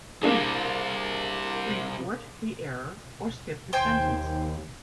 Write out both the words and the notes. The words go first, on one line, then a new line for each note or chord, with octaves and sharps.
Report the error or skip the sentence.
C3 G3 A#3 D4 G#4
D#2 C5 G5 G#5